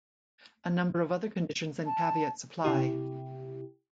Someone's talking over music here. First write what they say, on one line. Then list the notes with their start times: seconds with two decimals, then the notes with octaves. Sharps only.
A number of other conditions and caveats apply.
1.86 A5
2.64 C3 E4 G4